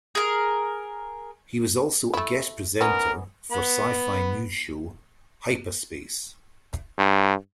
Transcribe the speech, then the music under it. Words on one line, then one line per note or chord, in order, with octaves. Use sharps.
He was also a guest presenter for sci-fi news show "HypaSpace".
G#4 A#4
A3 E4
B3 C#4 D#4 A#4
B3 B5
G2